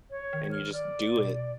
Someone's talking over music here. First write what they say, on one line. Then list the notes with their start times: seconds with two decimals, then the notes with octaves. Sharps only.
and you just do it.
0.11 C#5
0.33 D#3
0.51 F6
0.73 D5
1.17 B2